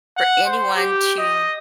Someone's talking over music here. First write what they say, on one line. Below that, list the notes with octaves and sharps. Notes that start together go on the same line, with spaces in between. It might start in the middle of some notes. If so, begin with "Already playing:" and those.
for anyone to
F#5
C5
G4
D#5